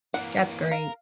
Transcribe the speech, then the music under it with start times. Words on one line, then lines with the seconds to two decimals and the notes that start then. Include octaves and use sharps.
That's great.
0.14 E3 A#3 F#5
0.71 A#4 F5